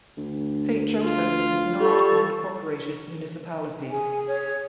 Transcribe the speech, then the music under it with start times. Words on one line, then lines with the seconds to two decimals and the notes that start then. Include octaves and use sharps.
Saint Joseph is not an incorporated municipality.
0.17 D2
1.03 F4
1.80 G3 A4 C#6
3.91 G#4 G#5
4.28 C#5